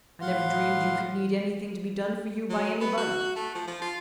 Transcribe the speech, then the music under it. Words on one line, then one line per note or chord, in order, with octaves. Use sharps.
I never dreamed you could need anything to be done for you by anybody.
A2 F5 F#5 C6
F#3
B3
F#4
A3
F3
F3
F4